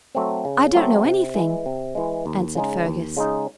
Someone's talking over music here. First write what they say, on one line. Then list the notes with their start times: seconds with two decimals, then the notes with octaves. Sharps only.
"I don't know anything," answered Fergus.
0.15 F#3 A3 C4
0.45 C#3
0.74 F#3 A3 C4
1.05 C3
1.35 E3 G#3
1.66 C3
1.95 E3 G#3
2.26 D#2
2.55 C#3 G#3 D#4
2.86 D#2
3.17 C#3 G#3 D#4